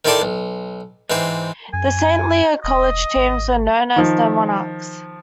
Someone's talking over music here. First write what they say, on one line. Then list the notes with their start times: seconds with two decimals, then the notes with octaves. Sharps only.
The Saint Leo College teams were known as the Monarchs.
0.05 D#3 C4 E4 A4 D5 C6
0.22 B1
1.10 G#2 E3 C4 C5
1.73 F#2 G#5
2.64 E1 D#5
3.16 G#1
3.96 D#3 F3